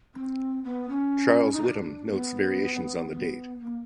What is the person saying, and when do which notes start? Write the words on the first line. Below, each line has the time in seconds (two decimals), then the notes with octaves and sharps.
Charles Whitham notes variations on the date.
0.15 C4
0.64 B3
0.89 C#4
1.52 D#4
1.64 D4
2.07 A#3
2.13 B3
3.12 B3
3.61 A#3